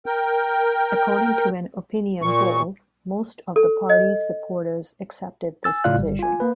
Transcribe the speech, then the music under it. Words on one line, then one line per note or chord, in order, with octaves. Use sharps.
According to an opinion poll, most of the party's supporters accepted this decision.
A#4 G5
A#2 C#6
A4
D#5
G#5 E6 A6
A2 C#3 F4 D5 F5 F#6
G1 G3
F4 G#5
A#3 B4